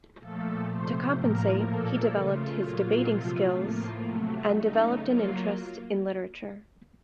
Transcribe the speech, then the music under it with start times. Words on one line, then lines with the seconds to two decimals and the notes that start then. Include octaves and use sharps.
To compensate, he developed his debating skills and developed an interest in literature.
0.19 A#2 F3 A3 A4
0.68 C3 F3 A3 C5
1.16 A2 F3 A#3 A#4
1.64 A#2 F3 A#3 A4
2.12 C#3 A3 F4
2.61 A#2 F#3 A#3
3.08 C3 F3 A3
3.57 A2 F3 A#3 F4
4.05 C3 F#3 A3
4.53 C#3 A3 D#4
5.02 F#3 A#3 F4